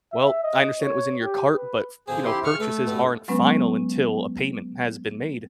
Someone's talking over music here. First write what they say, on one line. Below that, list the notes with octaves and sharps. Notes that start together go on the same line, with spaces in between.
"Well, I understand it was in your cart, but, f you know, purchases aren't final until a payment has been made,
E5
D#5
C#5
G4
B4
D3 F3 C4 G#4
E4 G4 C6
C#3 C#6 F6
A3 B4
G2 B2 B3
F#3 G#3 B3 C#4 B4